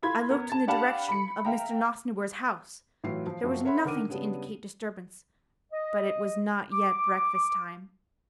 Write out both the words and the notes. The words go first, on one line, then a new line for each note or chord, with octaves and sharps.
I looked in the direction of Mr. Nosnibor's house--there was nothing to indicate disturbance, but it was not yet breakfast time.
E4 F4 B5 G#6
B3 A#4
A5 A6
D4 G4 F5 F#5 A5 B5
B5 C#7
E5 F5 G5 A#5
A2 E3 F#3 F4 C7
F3
F#1 F3 C4 F#4
A#4 C#5 E5 F#5 B5 C6
D3 D#3 A#4 F#5 D6 D#7
C#3 G3 B3 D4
D#5
D6